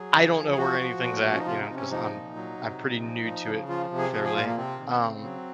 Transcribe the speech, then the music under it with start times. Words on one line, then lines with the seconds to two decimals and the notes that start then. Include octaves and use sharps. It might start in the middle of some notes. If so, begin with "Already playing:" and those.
I don't know where anything's at, you know, 'cause I'm I'm pretty new to it fairly, um,
Already playing: F#3 G#4
0.14 C#3
0.36 F3
0.52 G#4
0.58 F3 F#4
0.80 F3
1.02 A#2
1.24 F3
1.31 C#4
1.39 D#4
1.47 C3 F4
1.62 D#4
1.69 C3
1.76 C#4
1.91 F3 D#4
2.13 A#2
2.35 F#3
2.58 C3
2.80 A#2
3.02 F3
3.24 F3
3.46 C#3
3.69 F3 F4
3.90 C3
3.98 G#4
4.13 F3 G#4
4.24 G#4
4.35 A#2 F4
4.46 A#3
4.57 C3 C4
4.79 D#3
5.02 C#3
5.24 F#3